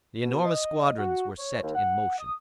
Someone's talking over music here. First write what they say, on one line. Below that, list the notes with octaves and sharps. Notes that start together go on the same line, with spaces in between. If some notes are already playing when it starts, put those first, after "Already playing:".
The enormous squadrons were set in motion.
B2
D#5
F#4
C#5
D#2
F#5
D#6